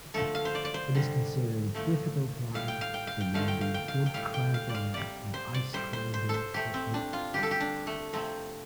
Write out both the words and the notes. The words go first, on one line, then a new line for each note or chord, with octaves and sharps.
It is considered a difficult climb, demanding good crampon and ice-climbing technique.
D3 F3 A3 A4
F5
C5
D5
D5
C5
D3 G3
A2 F3 A3
A2 G3 F5
G5
F5
G5
F5
G5
D3 F3 A3 F5
G5
F5
G5
F5
G5
A2 G3 F5
G5
F5
D5
F5
C3 G3 D5
C5
D5
A2 G3 C5
C5
C5
A4 C5
A2 A3 G4
C4
D4
F4
D3 G3 G4
A4
G4
D4
A3
C3 F3 A3 C4